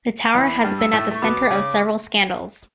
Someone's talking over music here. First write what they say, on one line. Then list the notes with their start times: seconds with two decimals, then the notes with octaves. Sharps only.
The tower has been at the centre of several scandals.
0.24 A5
0.34 E2 E3 B5
0.63 G2 G3
0.78 E6
0.93 A2 A3
1.11 A3 C#6
1.22 B2 B3 D6
1.51 C#3 C#4